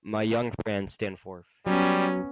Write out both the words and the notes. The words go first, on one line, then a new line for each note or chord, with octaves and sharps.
My young friend, stand forth!
F#3 G3 B3 C#4